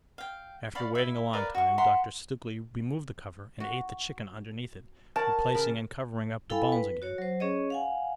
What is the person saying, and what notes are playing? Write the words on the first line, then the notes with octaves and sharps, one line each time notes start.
After waiting a long time, Dr. Stukely removed the cover and ate the chicken underneath it, replacing and covering up the bones again.
F5 G5
D5 F5 B5 C#6
E4 E5
A#4 B4 D5 F5
F#4 C#6
E5 F#5 A#5 C6
F#4
A#4 C#5 F#5 A5
C#3 A#4 B5
E4 A4 F5 G5 G#5 B5
B4
F#4 C#5
F#3 C5
C#4 G#4 C#5 D#5
F5 F#5 G#5